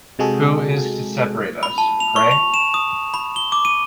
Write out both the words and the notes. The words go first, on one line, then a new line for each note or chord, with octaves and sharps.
Who is to separate us, pray?
C3 G#3 F#4 G#4 A4
B5
A5
F7
C#6
F7
E7
D#6
B5
G7
D6
D#7